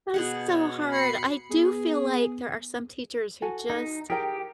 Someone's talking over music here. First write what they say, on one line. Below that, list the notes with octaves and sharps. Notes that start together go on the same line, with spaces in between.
That's so hard. I do feel like there are some teachers who just
B2 G#4 F#5
C#5
B5 C7 C#7
B3 G#4
F#4 A4 G#5
D#4
G4 G#4 A#4 G5